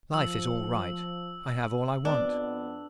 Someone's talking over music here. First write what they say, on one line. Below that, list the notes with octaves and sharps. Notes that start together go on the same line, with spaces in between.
Life is all right; I have all I want.
F3 E6
F2 B3 D4